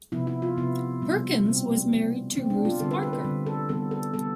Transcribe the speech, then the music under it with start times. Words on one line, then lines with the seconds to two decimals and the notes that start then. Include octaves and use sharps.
Perkins was married to Ruth Parker.
0.12 C3 F3 B3 E4
0.27 E4
0.42 F4
0.57 C3 F3 B3 E4
1.02 B2 G3 C4
1.46 B2 G3 C4
1.91 E3 B3
2.35 E3 B3 C4
2.50 D4
2.65 F4
2.80 D3 G3 C4 A4
2.91 B4
3.03 B4
3.13 B4
3.25 D3 G3 C4
3.46 A4
3.69 E3 G3 B3 A4
3.91 A4
4.14 E3 G3 B3 A4